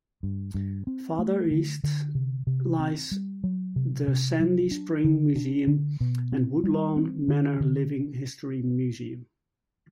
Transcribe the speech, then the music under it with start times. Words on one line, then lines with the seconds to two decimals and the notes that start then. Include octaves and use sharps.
Farther east lies the Sandy Spring Museum and Woodlawn Manor Living History Museum.
0.23 G2
0.54 G2
0.87 C4
1.19 A3
1.51 D3
1.84 D3
2.15 C3
2.47 C3
2.79 C4
3.11 G3
3.44 F#3
3.76 C3
4.08 C3
4.40 F#3
4.71 D4
5.04 D3
5.35 D4
5.67 D3
6.00 B2
6.32 C4
6.64 G3
6.96 C4
7.28 D3
7.60 D3